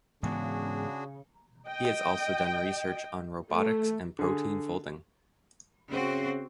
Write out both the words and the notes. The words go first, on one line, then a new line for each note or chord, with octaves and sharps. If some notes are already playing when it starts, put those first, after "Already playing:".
He has also done research on robotics and protein folding.
G#2 C#3 E3 B3 D4 F#4 G#4
D#5 G5
A3
D3 G#4
C#3 C4 F#4